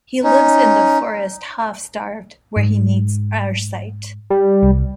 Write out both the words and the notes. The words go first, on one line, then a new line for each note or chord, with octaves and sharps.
He lives in the forest half-starved, where he meets Arcite.
C#4 D#4
G#2
G3
C2